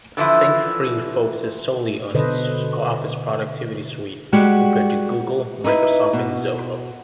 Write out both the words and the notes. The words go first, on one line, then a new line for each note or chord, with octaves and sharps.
ThinkFree focuses solely on its office productivity suite compared to Google, Microsoft, and Zoho.
D3 E3 F3 E4
B2 D3 A4 B4 C5 D#5
G3 G#3 F#4 G4 F#5 G5
D#4 E4 B4
B2